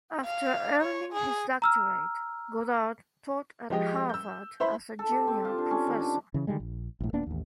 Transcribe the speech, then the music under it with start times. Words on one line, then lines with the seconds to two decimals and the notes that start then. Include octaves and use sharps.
After earning his doctorate, Goddard taught at Harvard as a junior professor.
0.25 F5
0.82 C#5
1.13 G#4
1.62 A#5 E6 F6
3.70 F3 G#3 G4 D#5
4.10 E6 G6
4.60 E4 C5 E5 B5
4.99 A4
5.11 G4
5.27 C4
5.45 F4
5.58 D4
5.71 C#4
5.87 D#3
6.00 D4
6.34 C#3 E3
6.47 D3 D#3 G3 G#3
6.60 A#1
7.00 A#1 A2
7.13 D#1 A#3 B3 D4
7.27 A1 D#2